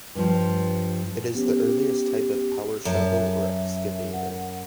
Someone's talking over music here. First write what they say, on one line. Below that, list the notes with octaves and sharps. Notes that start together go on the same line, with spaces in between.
It is the earliest type of power shovel or excavator.
G2 F3
B3 C#4 G4
F#2 E5 A5
F#5